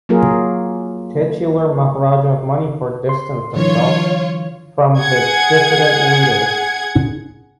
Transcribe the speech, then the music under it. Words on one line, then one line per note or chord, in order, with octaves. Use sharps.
Titular Maharaja of Manipur distanced himself from the dissident leaders.
F#3 A#3 F4 G#4 A#4
C6
D3 E3 F#3 F4 C#5
G#4 F#5 G#6